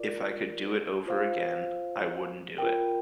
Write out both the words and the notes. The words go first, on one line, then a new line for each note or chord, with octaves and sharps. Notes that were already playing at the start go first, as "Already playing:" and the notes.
If I could do it over again I wouldn't do it.
Already playing: F4 A#4 D5
F4 C5 F5
F4 A#4 G5